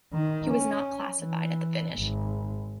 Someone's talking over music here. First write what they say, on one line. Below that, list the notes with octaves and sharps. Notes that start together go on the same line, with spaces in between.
He was not classified at the finish.
D#3
C#4
E3
G#1